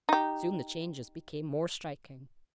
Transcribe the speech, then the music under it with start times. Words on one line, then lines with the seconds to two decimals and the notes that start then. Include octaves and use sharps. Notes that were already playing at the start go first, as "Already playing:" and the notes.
Soon the changes became more striking.
0.09 D#4 G4